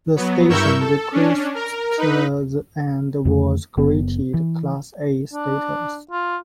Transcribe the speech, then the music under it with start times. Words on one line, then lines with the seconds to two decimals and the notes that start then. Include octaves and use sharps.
The station requested and was granted Class A status.
0.16 F#3 B3
0.49 G2 E4 A#4 C#6 E6 G6
0.80 A4
1.12 C#4 D4
1.55 A#4
1.97 D#4 B4
3.25 F2 D3 A3
3.77 F#1 B3
4.34 E3
5.33 D4
6.11 F4